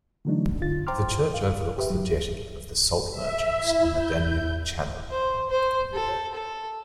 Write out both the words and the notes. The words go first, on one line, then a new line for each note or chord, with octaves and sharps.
The church overlooks the jetty of the salt merchants on the Danube channel.
D3 E3 F#3 A3 D4 D#4
F#2 D3 F4 A6
C5 G5 A#5 C6 D6 F6
F5
G4 B4 E5
F#3
E5
E4
G6
C5
C5
A4
A4